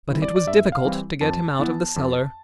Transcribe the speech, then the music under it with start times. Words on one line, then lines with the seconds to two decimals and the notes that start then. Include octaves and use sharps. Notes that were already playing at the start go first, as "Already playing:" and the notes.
But it was difficult to get him out of the cellar.
0.10 E3 G3 C4 E4
0.22 D5
0.36 D5
0.47 G2 E5
0.72 F5
0.85 E3 G3 C4 E4
1.21 F2 A5
1.59 E3 B3 E4
1.96 F2